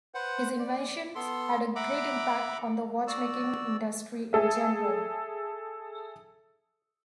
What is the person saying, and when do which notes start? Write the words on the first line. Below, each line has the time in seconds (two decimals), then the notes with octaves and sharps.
His inventions had a great impact on the watchmaking industry in general.
0.14 B4 C5 F#5
0.59 D5
1.15 B3 A4 C6
1.76 E5 F#5 A#5 B5 D6
3.07 F#4 D5 E6
4.33 G#4 A4 E5